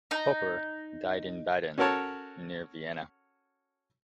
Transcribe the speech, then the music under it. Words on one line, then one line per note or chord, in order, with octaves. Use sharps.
Popper died in Baden, near Vienna.
D#4 A#5
C#4 F#4 A4 A#4 C#5 A5